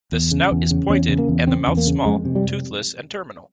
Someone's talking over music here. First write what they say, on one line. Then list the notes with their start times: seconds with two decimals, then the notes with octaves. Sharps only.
The snout is pointed and the mouth small, toothless, and terminal.
0.12 E2
0.31 C#3
0.51 E2
0.70 C#3
0.89 E2 C#4
1.09 C#3
1.18 A#3
1.28 E2
1.47 C#3 C4
1.67 E2
1.77 A#3
1.87 C#3
2.05 F2 G#3
2.25 C3
2.35 G3